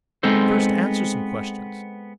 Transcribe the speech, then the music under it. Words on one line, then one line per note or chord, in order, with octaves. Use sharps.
First answer some questions.
G#3 B3 C4 D#4 A4 C5